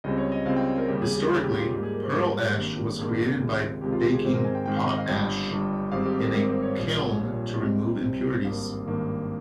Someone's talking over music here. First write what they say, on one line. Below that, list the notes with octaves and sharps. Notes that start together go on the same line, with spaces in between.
Historically, pearl ash was created by baking potash in a kiln to remove impurities.
C#2 C#3 G3 C4 D#5
C#5
D#5
C#2 C#3 G3 C4 F5
G5
A#4
D#2 C#3 G3 G4
G#4
G4
D#2 C#3 G3 G#4
G4
F4
G#2 G3 A#3 G4
G#4
A#4
C5
G#2 G3 A#3 A#4
G#1 G2 D#3 G3 A#3
G#1 G2 D#3 G3 A#3 G#4
C#2 C3 D#3 G#3
C#2 C3 D#3 G#3 G4
F4
G4
G#4
G#2 D#3 G#3 C4 C5
A#4
G#5
G5
G#2 D#3 G#3 C4 G5
F5
D#5
F5
G1 G2 G3 G5
G1 G2 G3
G#1 G#2 G3 C4 F5
G4
A#4
G#1 G#2 G3 C4 A#4
C5
C#5
A#1 A#2 G3
A#1 A#2 G3
C2 C3 G3 C4 D#5
C2 C3 G3 C4
G#1 G2 D#3 A#3 F5
G#1 G2 D#3 A#3